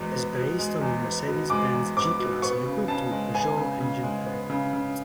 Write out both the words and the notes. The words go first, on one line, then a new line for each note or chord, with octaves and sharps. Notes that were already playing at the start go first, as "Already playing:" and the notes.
It is based on the Mercedes-Benz G-Class and equipped with Peugeot engine and equipment.
Already playing: E2 B2 G#3 B3
B3
B2
G#3
E2
B3
B2
G#3 D6
E2
B3 D6
B2
B3 C#6
C#3
C#3 A5
G#3
B3 G#5
C#3
C#3
G#3
B3
C#3
C#3